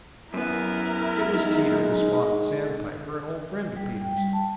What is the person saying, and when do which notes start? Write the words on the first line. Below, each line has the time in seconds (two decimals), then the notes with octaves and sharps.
It was Teeter the Spotted Sandpiper, an old friend of Peter's.
0.34 F#2 B3 E4 A#4
1.32 G#3 D#4
3.76 G3
4.02 G5
4.18 G3
4.33 A5